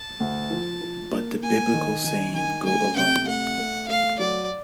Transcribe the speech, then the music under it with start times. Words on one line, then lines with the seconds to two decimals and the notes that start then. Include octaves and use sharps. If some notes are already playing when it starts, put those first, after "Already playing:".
But the Biblical saying Go alone!
Already playing: A5
0.20 D2
0.50 F3
0.81 F3
1.11 A#3
1.43 A#3 G#5
1.74 D#3
2.04 D#3 G#5
2.34 D#3 G#5
2.65 A3 G#5
2.96 C3 G5
3.26 A3 F#5
3.58 A3
3.88 A3 F5
4.19 F#3 D5